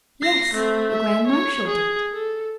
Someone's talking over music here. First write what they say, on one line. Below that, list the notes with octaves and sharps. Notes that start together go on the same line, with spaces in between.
"Yes; the grand marshal did."
A#6 C7
A3 C4
E5
C#5
G#4
A4